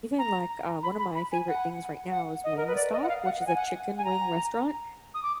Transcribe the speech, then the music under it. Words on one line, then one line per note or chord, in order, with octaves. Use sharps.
even like, uh, one of my favorite things right now is Wingstop, which is a chicken wing restaurant,
A#5
B5
B5
B5
G#5
F#5
F#5
D#5
A#4
B4
D5
D#5
F#5
F5
F#5
F#5
G#5
F#5
G#5
A#5
D#6
D6